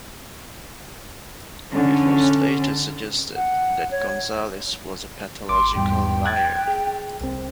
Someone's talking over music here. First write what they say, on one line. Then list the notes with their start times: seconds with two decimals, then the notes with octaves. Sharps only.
It was later suggested that Gonzales was a pathological liar.
1.73 D3 C#4
3.36 F#5
3.91 C#5
5.49 G#1 C6 D6
5.76 E2 G#2 G3 G5
6.26 F#6 G#6 A6
6.68 G#4
7.21 C2 C4